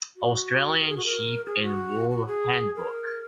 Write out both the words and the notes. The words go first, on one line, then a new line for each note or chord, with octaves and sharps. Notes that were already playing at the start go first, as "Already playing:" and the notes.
Australian Sheep and Wool Handbook.
F#4
A#4
G#4
F#4
A#4
G#4
F#4
F#4
G#4
A#4